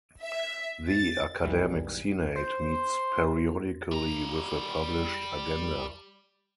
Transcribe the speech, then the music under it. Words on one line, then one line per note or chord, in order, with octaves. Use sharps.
The academic senate meets periodically with a published agenda.
E5
A6
B1 G#2 E3 G3
C5
G3 A#5